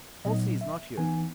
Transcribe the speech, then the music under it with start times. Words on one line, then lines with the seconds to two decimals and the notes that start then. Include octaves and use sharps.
Halsey is not here.
0.25 A#2 F#3 B3 D#4 D#5
0.61 E5
0.98 E3 B3 D#4 G#5